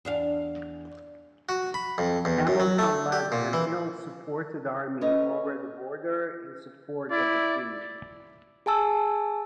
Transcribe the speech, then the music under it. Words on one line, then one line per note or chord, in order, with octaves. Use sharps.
Hamilton led an ill-supported army over the border in support of the king.
E2 D4 F5
F#4
B5
F2
E2
F#2
F#3
A3
G4
A#2
E3
C#4 A4 B4 C#5 D#5
E4 D5
G#4 G#5 A5 E6